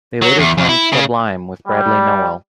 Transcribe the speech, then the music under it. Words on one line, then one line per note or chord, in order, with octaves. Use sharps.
They later formed Sublime with Bradley Nowell.
F#3
E2
F2
E4
C#3
G3